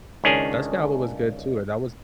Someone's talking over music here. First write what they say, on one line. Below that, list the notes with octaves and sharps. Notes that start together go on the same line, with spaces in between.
Jessica Alba was good too. Uh, that was
C#2 D#3 C#4 D4 G#4